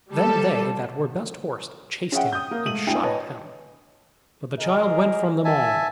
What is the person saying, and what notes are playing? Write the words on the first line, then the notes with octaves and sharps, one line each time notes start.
Then they that were best horsed chased him, and shot at him, but the child went from them all.
G3 A4
C#4 G#4 E5 F#5 G5
D#6 G6
A#3
G#2 A3 D#7 F#7
D2 D4 E4 G5 G#5
B4 C#5 D#5 A5
G#4 A#4 D#5
E5 G#5 A5